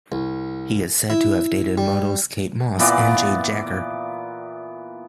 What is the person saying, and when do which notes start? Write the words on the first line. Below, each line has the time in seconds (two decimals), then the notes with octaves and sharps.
He is said to have dated models Kate Moss and Jade Jagger.
0.12 C2
1.10 E4
1.78 G3
2.79 A#2 E3 B3 D5